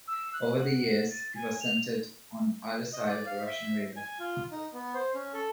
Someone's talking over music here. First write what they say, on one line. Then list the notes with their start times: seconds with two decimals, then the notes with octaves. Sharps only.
Over the years it was centered on either side of the Russian River.
0.08 E6
0.33 F#6
0.57 F#5
1.10 A6
1.35 G#5
1.60 F7
2.93 D#5
3.08 D5
3.26 F5
3.46 E5
3.96 G#5
4.20 F4
4.52 D#4
4.73 B3
4.94 C5
5.15 C#4
5.34 A4